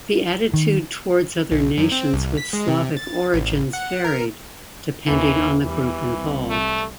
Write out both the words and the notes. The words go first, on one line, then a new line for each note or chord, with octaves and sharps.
The attitude towards other nations with Slavic origins varied, depending on the group involved.
D#3
B1
F#2
C4
C2
B6
G#3
C3
A6
A1
F#5
A#4
D#2 E3
E2 E3 G3
C2
A3